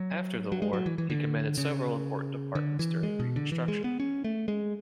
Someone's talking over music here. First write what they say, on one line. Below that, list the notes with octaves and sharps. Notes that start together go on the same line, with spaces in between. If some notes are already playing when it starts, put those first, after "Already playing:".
After the war, he commanded several important departments during Reconstruction.
Already playing: F#3
F#3
G#3
F#3
E3
E3
D3
C#3
D3
E3
G#3
B2
D3
E3
G#3
B3
C#4
A3
G#3